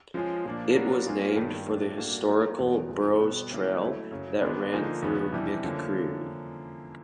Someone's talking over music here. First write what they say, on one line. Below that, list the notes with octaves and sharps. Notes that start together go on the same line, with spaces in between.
It was named for the historical Burrows Trail that ran through McCreary.
F3 G#3 C#4 F4 G#4
A#2 F3 A#3 D4
F#3 B3 D4 F#4 A#4
F#3 A#3 C#4 F4 G#4
G2 D#3 G3
A2 F#3 A3 D4
G3 A#3 D4 F#4 A4
F3 A#3 D#4
E2 B2 F#3 B3 D#4
G2 D3 F3 G#3 C4
B2 G3 B3
D3 G3 A#3 C#4 E4
F#3 A3 C#4 E4
F#2 C#3 F#3
D#3 G#3 B3 D4
D3 F3 A#3 D#4 G#4
E2 C#3 F#3 B3
F2 C3 E3 G3
D3 F3 A#3 C#4